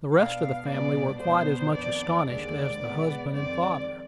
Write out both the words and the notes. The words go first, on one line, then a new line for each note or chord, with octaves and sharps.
The rest of the family were quite as much astonished as the husband and father.
B2 B3 D4 F5
B2 G#3 B3 D4 D5
B2 B3 D4 C5
F2 D#3 B3 D4 D5
D#2 D3 G#3 D5
B2 G#3 B3
F2 D#3 G#3 C4 D5